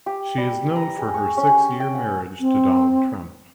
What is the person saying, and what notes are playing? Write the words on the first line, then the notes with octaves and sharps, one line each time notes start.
She is known for her six-year marriage to Donald Trump.
G4
G3
A#5
G#4
C#6
C#4
G4
G5
F#5
C4